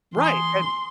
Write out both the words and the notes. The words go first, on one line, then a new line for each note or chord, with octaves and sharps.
Right, and
E3 G#5 C6 D#6